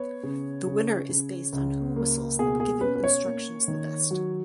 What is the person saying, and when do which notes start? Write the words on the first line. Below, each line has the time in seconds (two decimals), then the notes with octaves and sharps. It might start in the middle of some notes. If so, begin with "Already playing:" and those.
The winner is based on who whistles the given instructions the best.
Already playing: B3 C#5
0.23 C#3
0.67 C#3
1.09 C#3
1.53 C#2
1.96 A#3
2.39 B2 G#4
2.60 G#4
2.81 C#4 B4
2.96 B4
3.04 C#5
3.24 A#3
3.68 D#3
4.11 F#3